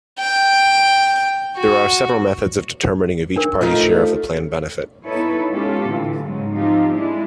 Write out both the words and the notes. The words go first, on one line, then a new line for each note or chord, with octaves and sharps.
There are several methods of determining of each party's share of the plan benefit.
G5
F#4
D4 A#4
F3 A3 D#4 F4
B3 D#4 E4 A4 B4 C#5
G#3 B3 C#4 F4 G4 A4
A2 D3 E3
G#2 C#3 F#3 G#3
F3 C4 D#4 F4 G4
G#3 D4 E4